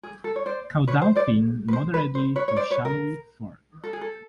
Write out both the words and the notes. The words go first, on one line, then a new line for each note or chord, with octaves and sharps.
Caudal fin moderately to shallowly forked.
G#4
A4
C#5
C5 D5
B4 C#5
C5
C5 D5
B4
C5
B4
C5
B4 C#5
C#5
C5 D5
B4 C#5
A#4
A4
G#4
A4